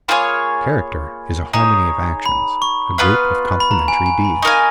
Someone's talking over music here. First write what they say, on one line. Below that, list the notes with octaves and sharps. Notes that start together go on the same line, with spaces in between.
Character is a harmony of actions, a group of complementary deeds.
A#3 F4 G#4 C#5 B5
D#4 G#4 C#5 A#5
B5
C#6
B3 F4 B4 F5
B5
A#5
G#5
G#5
B5
D#4 A#4 F5 G#5 C#6